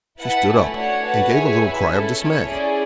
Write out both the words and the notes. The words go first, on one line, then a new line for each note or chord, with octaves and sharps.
She stood up and gave a little cry of dismay.
E4 B4 F#5 A5
A3 C#4 E4
A3 D4 F#4 C#5 F#5
F#4 B4 F#5 A5
G#4 C#5 E5 G#5
E4 B4 E5
C#4 E4 A4
C#4 E4 A4 C#5
C#4 E4 G#4 D5